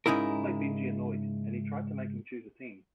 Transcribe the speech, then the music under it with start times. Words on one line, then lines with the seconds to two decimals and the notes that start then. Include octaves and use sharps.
This made Benji annoyed, and he tried to make him choose a team.
0.06 G#2 C#3 D#4 E4 A#4